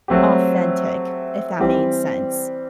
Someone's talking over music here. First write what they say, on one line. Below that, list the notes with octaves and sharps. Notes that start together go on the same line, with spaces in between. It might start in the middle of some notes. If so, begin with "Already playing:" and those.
authentic if that made sense.
F#3 A3 C4 G4
E3 G3 C4 G4